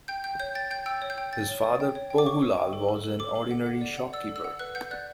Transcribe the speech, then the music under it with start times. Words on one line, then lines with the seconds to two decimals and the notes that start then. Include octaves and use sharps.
His father Pohu Lal, was an ordinary shopkeeper.
0.08 G5 G6
0.24 G5 G6
0.40 C#5 G6
0.55 G5 A6
0.71 G5 G6
0.86 G5 E6
1.02 C#5
1.10 G6
1.18 G5
1.33 G5 A6
1.48 C#5
1.64 C#5
1.80 G5
1.95 C#5
2.10 G5
2.18 D6
2.26 C#5 C#6
2.42 C#5
2.58 G5
2.73 A4
2.89 A4
3.04 A4
3.19 A4 D6
3.35 A4
3.51 F#5
3.66 F#5
3.81 D5
3.97 F#5
4.13 D5 E6
4.29 A4
4.36 E6
4.44 F#5
4.59 B4 F#6
4.75 F#5 G6
4.91 D5 F#6